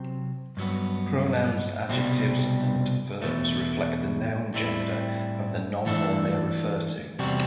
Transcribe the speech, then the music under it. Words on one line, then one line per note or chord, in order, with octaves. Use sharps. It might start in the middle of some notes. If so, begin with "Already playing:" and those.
Pronouns, adjectives, and verbs reflect the noun gender of the nominal they refer to.
Already playing: C3 F#3 C4
G2 F#3 B3
C2 B2 G3 C4
E2 B2 A3
A2 G3 C4 E4
E3 A3 D4 A4 E5
E2 C3 G3 C4 F#4